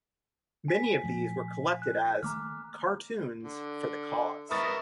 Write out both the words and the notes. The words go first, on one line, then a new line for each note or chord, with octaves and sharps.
Many of these were collected as "Cartoons for the Cause".
G#5 B6
A#2 F3 A3
F#6
D#3 A3 A#3 A#5 D6 F6
D3
A#4 B4 E5 C#6 D#6 A6